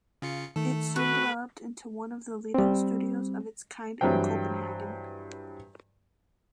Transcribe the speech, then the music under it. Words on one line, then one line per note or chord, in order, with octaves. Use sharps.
It soon developed into one of the leading studios of its kind in Copenhagen.
C#3 F4 C#7
D#3 A3 A4
F#4 B4
G3 C4
G2 E3 F#3 C4 G5